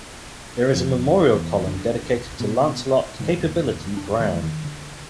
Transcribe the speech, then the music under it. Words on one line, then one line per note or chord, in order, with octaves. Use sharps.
There is a memorial column dedicated to Lancelot "Capability" Brown.
F2
E2
D3
B2
F1 G#2 D#3
F1 D#2
E1 D4
D#3 G#3 A#3
D#3
D3